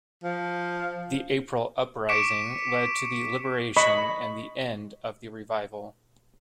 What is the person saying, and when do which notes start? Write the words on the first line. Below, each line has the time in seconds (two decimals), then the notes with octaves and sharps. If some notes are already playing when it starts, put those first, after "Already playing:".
The April Uprising led to the liberation and the end of the Revival.
0.24 F3
2.09 C#6 D6 B6 C#7 D7 E7
3.77 D#5 B5 C#6